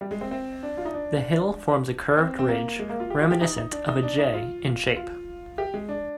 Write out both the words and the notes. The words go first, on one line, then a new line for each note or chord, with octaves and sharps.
The hill forms a curved ridge, reminiscent of a 'J' in shape.
G3
G#3
C4
C4
D4
F4
D#4
D4
C4
C4
A#3
G#3
A#3
F4
G4
F4
G4
D#4
D#4
D4
D#4
D4
D#4
F4
F4
G4
G#3
D4